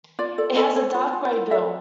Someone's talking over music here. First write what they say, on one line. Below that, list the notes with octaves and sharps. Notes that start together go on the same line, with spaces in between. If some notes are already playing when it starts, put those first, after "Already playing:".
It has a dark grey bill.
F4 D5
A4 D5
A4 D#5
A4 C#5
F4
F4
E4
A4 E5